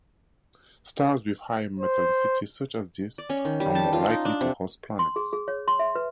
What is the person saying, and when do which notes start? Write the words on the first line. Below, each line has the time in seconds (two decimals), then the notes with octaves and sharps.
Stars with higher metallicity such as this are more likely to host planets.
1.80 C5
3.18 D5
3.30 C#4
3.45 D#3
3.60 G3
3.75 A5
3.93 F4
4.10 D#4
4.25 D4
4.41 C3
4.99 C6
5.16 G#4
5.33 G#4
5.48 C#5
5.68 C6
5.79 E5
5.95 B4